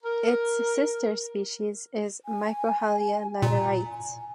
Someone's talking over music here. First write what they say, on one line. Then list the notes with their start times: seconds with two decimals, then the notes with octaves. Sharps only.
Its sister species is "Microhyla laterite".
0.04 A#4
2.25 G#5
3.42 A#2 A#5
3.85 G#5